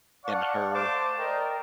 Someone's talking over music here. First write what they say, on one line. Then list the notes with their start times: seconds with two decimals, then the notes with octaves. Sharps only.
and her
0.24 D5 F5 F#5 A5 C#6
0.73 A3 C5 A5 C#6 D6
1.19 A#4 D5 D#5 G5